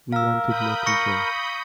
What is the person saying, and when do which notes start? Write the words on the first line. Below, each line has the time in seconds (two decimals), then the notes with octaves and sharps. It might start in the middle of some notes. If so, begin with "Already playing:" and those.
We wanted more control.
0.12 A#4 F5 E6
0.47 B5 D#6 G6
0.86 C#6 A#6 C#7